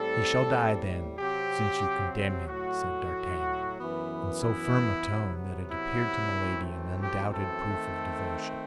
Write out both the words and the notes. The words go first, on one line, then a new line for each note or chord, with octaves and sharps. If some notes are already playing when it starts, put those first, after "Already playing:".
"He shall die, then, since you condemn him!" said d'Artagnan, in so firm a tone that it appeared to Milady an undoubted proof of devotion.
Already playing: A2 G3 C4 A4
C3 F#3 C4 G4
A2 F#3 A3 F#4
F#2 E3 B3
E4
C3 F#3 B3
E4
F#2 E3 A3 C4
G4
A4
D#3 A3 C4